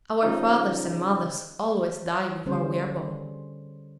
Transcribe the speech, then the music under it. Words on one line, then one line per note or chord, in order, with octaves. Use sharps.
Our fathers and mothers always die before we are born.
C#3 F3 D#4
D3 G3 C#4 G#4 C5